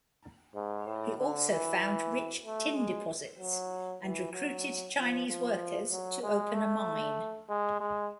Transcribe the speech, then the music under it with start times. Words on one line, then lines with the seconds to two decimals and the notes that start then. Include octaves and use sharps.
He also found rich tin deposits, and recruited Chinese workers to open a mine.
0.55 G#2
0.86 A2
1.18 D3
1.50 E3
2.44 A3
2.76 G#3
3.39 F#3
4.02 E3
4.33 F#3
4.97 F3
5.28 F3
5.91 F#3
6.23 G#3
6.54 A3
7.49 G#3
7.80 G#3